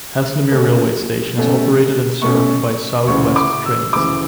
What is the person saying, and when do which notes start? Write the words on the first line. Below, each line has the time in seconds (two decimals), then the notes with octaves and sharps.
Haslemere railway station is operated and served by South West Trains.
0.51 B2 A3 C#4
1.37 B2 A3 C#4
2.22 B2 A3 C#4 C#6
3.07 D2 C#3 E3 C#6
3.36 D6
3.65 E6
3.92 D2 C#3 E3 D6